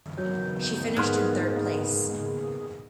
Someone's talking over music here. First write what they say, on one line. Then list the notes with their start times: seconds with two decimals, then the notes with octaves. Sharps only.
She finished in third place.
0.17 D#3 F#3 A#3 B3 G6
0.97 G#2 G#4 C6 F6 F#6